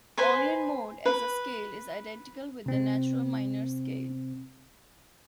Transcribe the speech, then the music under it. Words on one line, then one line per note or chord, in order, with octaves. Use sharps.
Aeolian mode as a scale is identical with the natural minor scale.
B4 C5 G#5 C6
B4
C3 C4